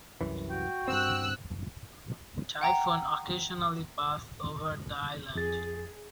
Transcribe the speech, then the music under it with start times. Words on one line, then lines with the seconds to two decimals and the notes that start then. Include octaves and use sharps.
Typhoons occasionally pass over the island.
0.21 C2 F#2 E3
0.50 F#4 G5
0.88 G2 C4 E6 F#6
2.61 F#5 G5 A#5
5.35 F2 G#4 A6